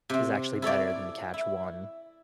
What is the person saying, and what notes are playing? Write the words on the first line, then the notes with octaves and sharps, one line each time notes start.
is actually better than the Catch One
C3 C4
E4 A4 C#5 D5
E4